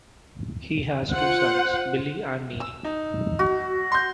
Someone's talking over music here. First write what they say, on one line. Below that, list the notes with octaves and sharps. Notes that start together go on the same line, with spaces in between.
He has two sons Billy and Neal.
F4 C5 F#5
E6
D#4
F#4
C6 G6